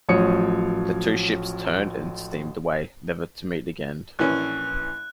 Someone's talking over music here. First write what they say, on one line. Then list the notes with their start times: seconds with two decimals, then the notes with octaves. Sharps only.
The two ships turned and steamed away, never to meet again.
0.09 A1 F3 F#3 C#5 D#6 C#7
4.19 A#1 E3 C#4 F#6